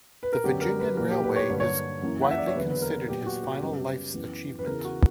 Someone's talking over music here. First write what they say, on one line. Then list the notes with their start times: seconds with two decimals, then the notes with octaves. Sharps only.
The Virginian Railway is widely considered his final life's achievement.
0.23 B4
0.33 A#4
0.44 F#2 D3 F#3 B3 G4
0.61 A#4
0.80 B4
0.97 A#2 F#3 A#3 A#4
1.10 G4
1.24 B4
1.36 C#5
1.49 G2 D3 F#3 A#3 B4
1.60 C#5
2.02 F#2 E3 A#3
2.21 F#5
2.31 E5
2.38 D5
2.47 C#5
2.56 E2 D3 F#3 A#3 B4
2.70 B4
2.82 A#4
3.08 A#2 F#3 B3 G4
3.26 F#4
3.43 G4
3.61 F#2 C#3 G3 B3
4.14 F#2 E3 B3
4.59 B4
4.66 E2 C#3 E3 A#4
4.85 F#4